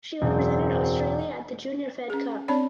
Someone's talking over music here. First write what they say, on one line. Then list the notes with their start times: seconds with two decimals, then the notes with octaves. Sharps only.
She represented Australia at the Junior Fed Cup.
0.22 E1 F#2 C#3 C4
2.10 C#4 G#4
2.48 C4 D4 C#5 D5 B5